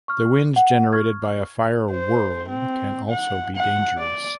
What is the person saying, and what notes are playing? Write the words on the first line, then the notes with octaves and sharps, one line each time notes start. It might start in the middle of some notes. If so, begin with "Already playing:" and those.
The winds generated by a fire whirl can also be dangerous.
C#6 F6
F#5
C#6 F6 G#6
C5
C4
F#5
F#5
D5